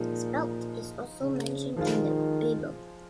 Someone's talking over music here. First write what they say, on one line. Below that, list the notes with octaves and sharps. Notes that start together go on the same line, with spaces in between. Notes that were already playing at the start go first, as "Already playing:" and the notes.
Spelt is also mentioned in the Bible.
Already playing: A#2 F3 G#3 D#4
C#3
D#3 F3 G#3 F4